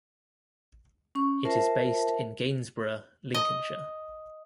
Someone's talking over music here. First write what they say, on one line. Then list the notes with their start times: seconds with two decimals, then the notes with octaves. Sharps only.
It is based in Gainsborough, Lincolnshire.
1.15 C#4 C#6
1.45 F4 A#4 C5 E5 A5
3.34 D#5